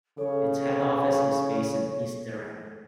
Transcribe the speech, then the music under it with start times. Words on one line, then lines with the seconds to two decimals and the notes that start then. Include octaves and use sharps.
Its head office is based in East Dereham.
0.18 C#3 A4 C#5